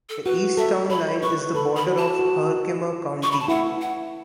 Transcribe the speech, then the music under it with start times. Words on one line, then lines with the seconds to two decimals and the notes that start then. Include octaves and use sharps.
The east town line is the border of Herkimer County.
0.09 A4
0.26 F#4 B4
0.57 A4 E5
0.90 C#5 B5
1.23 B4 C#6
1.55 A4 B5
1.76 B5
1.87 F#4
1.98 A5
2.19 F#4
3.23 C#6
3.31 B5
3.40 A5
3.48 E4 F#5
3.81 F#5